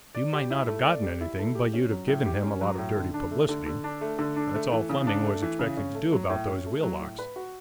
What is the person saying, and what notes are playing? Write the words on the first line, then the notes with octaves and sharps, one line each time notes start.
"You might not have gotten anything, but you'd have given him a lot of dirty publicity. That's all Fleming was expecting to do about those wheel locks."
D5
G4
E4
A3
D5
G4
E4
A3
G4
C#4
F#3
A2
G4
C#4
F#3
A2
D3
D4
A3
D3
D3
D4
A3
D3
D4
A3
E3
C#3
D4
A3
E3
C#3
C#4
A3
F#3
A2
C#4
A3
F#3
A2
B4
F#4